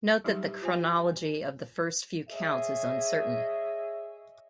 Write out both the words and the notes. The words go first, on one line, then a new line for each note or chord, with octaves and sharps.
Note that the chronology of the first few counts is uncertain.
F#3 G3 D#4 G4
F4 C5 G#5
G#4 C#5 D#5 E5